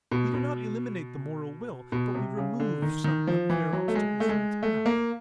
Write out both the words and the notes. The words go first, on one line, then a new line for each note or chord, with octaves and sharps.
We do not eliminate the moral will but we remove some unfair obstacles from its path.
B2
B2
B2
C3
C#3
D3
D#3
D#3
F3
E3
F#3
A3
G#3
A3
G#3
A3
A#3